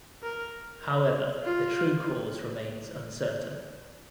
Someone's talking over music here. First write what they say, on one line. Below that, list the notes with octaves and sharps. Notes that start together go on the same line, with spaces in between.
However the true cause remains uncertain.
A#4
F4